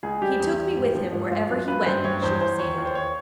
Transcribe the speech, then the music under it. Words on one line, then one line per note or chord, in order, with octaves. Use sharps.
"He took me with him wherever he went," she proceeded.
C#2 G#4
G3 G4
E2
G3
G#2
F3
G#2
G#2 F4
F#2 F4
F#2 B4
G2 C5
G2 C#5
E2 C5
E2 C5
D#2 C#5
D#2
C5
C#5